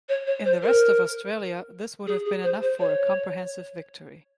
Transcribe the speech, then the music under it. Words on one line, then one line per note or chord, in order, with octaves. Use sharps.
In the rest of Australia, this would have been enough for a comprehensive victory.
C#5
C#5
C5
A#4
G#4
G#4
C5
C5
C#5